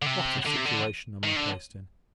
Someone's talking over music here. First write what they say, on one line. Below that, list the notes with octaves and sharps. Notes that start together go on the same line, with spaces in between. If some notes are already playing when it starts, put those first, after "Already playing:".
What a situation am I placed in!
D3
C3
D3
C3
D3
D#3
D3